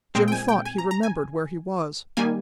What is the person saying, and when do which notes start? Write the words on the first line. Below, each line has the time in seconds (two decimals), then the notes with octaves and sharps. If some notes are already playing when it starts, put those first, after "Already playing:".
Jim thought he remembered where he was.
0.15 A#2 G#3 C4 G5
0.28 G5
0.32 G#5
0.48 G5
0.65 G#5
0.78 A#5
0.91 A#5
1.03 G#5
2.17 D#3 G3 A#3 G#5